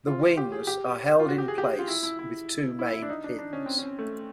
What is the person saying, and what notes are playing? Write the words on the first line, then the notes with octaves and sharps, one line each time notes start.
The wings are held in place with two main pins.
F4
G4
G#4
G4
F4
F#4
G4
G#4
G4
F4
E4
E4
E4
E4
E4
D4
D#4
D4
D4
C#4
C4
C#4
A3